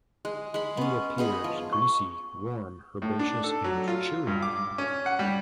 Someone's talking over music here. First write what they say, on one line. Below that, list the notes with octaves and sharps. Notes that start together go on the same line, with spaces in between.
He appears: greasy, warm, herbaceous, and chewing.
G#3
G#3 B5
B3 C#4
B3 G#4 D#5 B5
F3
C#6
A2
D4
A4
F#3
F4
G2
D6
C#4
F#5
G3